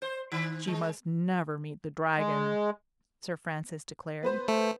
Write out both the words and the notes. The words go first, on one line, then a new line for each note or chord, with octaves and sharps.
"She must never meet the Dragon," Sir Francis declared.
C5
D#3
G#3
G#3
B3 B4 C5
A3